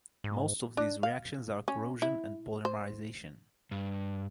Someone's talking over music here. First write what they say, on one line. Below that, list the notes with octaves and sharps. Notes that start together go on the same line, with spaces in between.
Most of these reactions are corrosion and polymerization.
G#2
D4
F5
C#4
E4
C5
G2